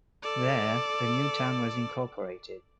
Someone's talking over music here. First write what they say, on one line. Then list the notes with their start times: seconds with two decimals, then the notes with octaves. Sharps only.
There, a new town was incorporated.
0.23 A4 D5